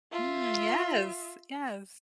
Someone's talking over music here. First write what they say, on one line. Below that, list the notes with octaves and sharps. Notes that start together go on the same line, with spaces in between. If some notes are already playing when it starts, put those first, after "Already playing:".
Mm, yes, yes.
F4 E5